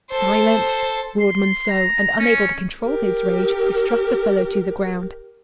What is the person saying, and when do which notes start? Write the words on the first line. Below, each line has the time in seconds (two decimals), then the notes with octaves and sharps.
"Silence!" roared Monceux; and, unable to control his rage, he struck the fellow to the ground.
0.10 A4 C5
1.20 C6
1.69 A#5
2.19 C#4
2.82 G4 A#4